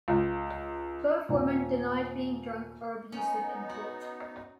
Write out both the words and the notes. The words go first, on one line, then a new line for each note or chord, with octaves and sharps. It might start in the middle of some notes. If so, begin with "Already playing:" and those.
Both women denied being drunk or abusive in court.
C#2
D#1
B3 C#4 D#4
F#4